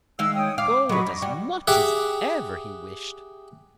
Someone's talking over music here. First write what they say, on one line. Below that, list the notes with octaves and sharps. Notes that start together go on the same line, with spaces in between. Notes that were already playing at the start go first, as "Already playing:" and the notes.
Gold as much as ever he wished.
D#3 G#3 F5 E6
C#5 G5 D#6
F5 D6
F#3 C#5 D#5 B5 C#6
F#2 D#5 D6
G3 F#5
G4 G#4 E5 F#5 G5